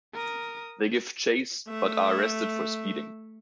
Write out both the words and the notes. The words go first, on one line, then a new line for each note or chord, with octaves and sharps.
They give chase but are arrested for speeding.
A#4 D#6
A3 E5